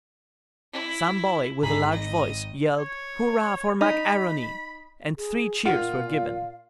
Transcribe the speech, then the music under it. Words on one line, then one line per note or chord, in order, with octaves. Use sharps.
Some boy with a large voice yelled, "Hurrah for Mac A'Rony!" and three cheers were given.
E4
G#1 G#4 A#5 B5
D#5
C#5
D#4 B5
G#4
A#2 F4 F5 F#5